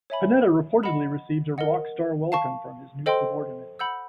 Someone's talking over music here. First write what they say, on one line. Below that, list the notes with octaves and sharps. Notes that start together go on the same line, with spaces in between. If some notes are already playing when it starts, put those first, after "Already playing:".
Panetta reportedly received a "rock star welcome" from his new subordinates.
C#5 E5 G#5 B5
D#5 F#5 B5
A#4 D#5 F#5
F5 A5 C#6
A4 C5 D#5 G5 C6
F#5 B5 E6 G6